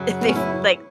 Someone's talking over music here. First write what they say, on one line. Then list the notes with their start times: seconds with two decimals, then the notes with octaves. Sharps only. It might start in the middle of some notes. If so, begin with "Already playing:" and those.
they've, like,
Already playing: F#2 C#3 F#3
0.21 B3
0.29 C#4
0.35 E4